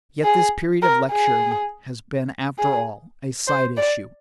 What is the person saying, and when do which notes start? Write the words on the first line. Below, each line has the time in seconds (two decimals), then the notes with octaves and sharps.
Yet this period of lecturing has been, after all, a side issue.
0.24 G#4
0.82 A#4
1.11 G#4
2.58 G#4
3.48 C5
3.77 D5